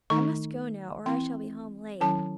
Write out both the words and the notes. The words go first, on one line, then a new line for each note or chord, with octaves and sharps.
I must go now or I shall be home late.
D#3 A3 D#4 C#6
E3 C4 E4 C6
D#3 F#3 C#4 E4 A5